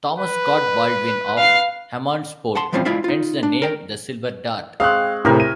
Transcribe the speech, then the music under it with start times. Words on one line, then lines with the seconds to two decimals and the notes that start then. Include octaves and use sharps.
Thomas Scott Baldwin of Hammondsport; hence the name the "Silver Dart".
0.19 B4
1.38 F5 C7
2.55 F#5 A5 C6
2.73 E3 F3 G3 C4 C#4 F4
2.85 G#3 E4 F4 D5 E5 F5
3.04 D#4 F4
3.43 D4
3.62 A#4 G5
4.80 G#3 C4 F5 C#6 F#6
5.25 A2 C3 G4 A#4 G#5
5.40 D#7